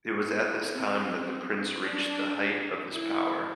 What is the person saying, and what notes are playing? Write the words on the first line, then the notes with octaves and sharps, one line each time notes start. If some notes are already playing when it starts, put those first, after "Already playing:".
It was at this time that the prince reached the height of his power.
B3
C4
D4
E4